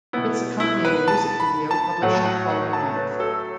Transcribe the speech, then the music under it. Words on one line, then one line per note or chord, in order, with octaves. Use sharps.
Its accompanying music video published the following month.
B2 B3 E4
E4
B4
A5
B5
A5
A2 F#3 A3 F#5
A5
F#5
F#5
A5
B4
A4